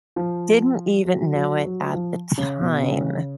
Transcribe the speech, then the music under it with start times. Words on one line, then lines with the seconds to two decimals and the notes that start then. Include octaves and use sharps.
Didn't even know it at the time.
0.16 F3
1.05 F#3
1.35 F#3
1.64 F#3
1.94 F3
2.38 C#3
2.61 B2
2.83 C#3